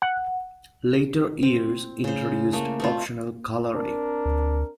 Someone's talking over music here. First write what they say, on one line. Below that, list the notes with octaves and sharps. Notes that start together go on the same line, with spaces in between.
Later years introduced optional coloring.
F#5
C4
C#3 C5
A3 A#3
A3 C4 F4
C4 D4 A#4
D2